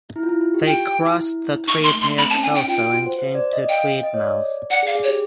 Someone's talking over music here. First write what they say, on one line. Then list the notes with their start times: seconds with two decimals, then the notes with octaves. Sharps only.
They crossed the Tweed near Kelso and came to Tweedmouth.
0.16 E4
0.23 F4
0.29 E4
0.41 F4
0.54 G4
0.66 G5
1.00 E4
1.68 D#4 C#6
1.80 A#3 C6
1.92 A3
2.01 C6
2.05 A#3
2.17 C4 B5
2.30 A5
2.35 C#4
2.42 G#5
2.51 D#4 G5
2.68 F4 G5
2.81 F#4
2.93 F#4
3.06 C5
3.19 C5
3.35 D5
3.53 D#5
3.69 F5 G5
4.03 D#5
4.14 C#5
4.20 D5
4.70 D5 F#5
4.83 G#4
4.87 F5
4.95 G#4
5.03 C#5
5.08 G4